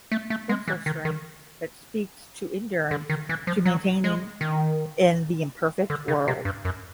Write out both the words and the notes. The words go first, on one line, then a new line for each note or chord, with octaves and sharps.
Tensile strength, that speaks to endurance, to maintaining in the imperfect world.
A3
A3
G#3
E3
D#3
D#3
D3
D#3
E3
F3
F#3
G#3
D#3
D3
C#3
C3
G2
F#2